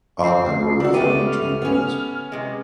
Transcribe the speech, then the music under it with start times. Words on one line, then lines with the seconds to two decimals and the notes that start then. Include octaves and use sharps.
Auckland were the defending champions.
0.23 C4 C7
0.80 D#3 F#4 D5 E6
0.94 A3 B3 G4 D#7
1.27 F6
1.62 B3 C#4
2.32 C3 G#3